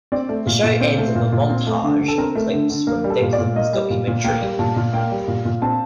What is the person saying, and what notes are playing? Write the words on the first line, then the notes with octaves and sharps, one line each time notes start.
The show ends with a montage of clips from Declan's documentary.
C4 D5
A3
A#2
A#2
C4 C5
A3
A#2
A#2
C4
A3
D3
D3
A4
C4 A#4
A3
D3
D3
A#3 A#4
G3
A4
A#2
D5
A#2
A#3 D#5
G3
A#2
A#2
A#3 G5
G3
A#2 A5
A#2
A#3 G5
G3
A#2
A#2
C4 A5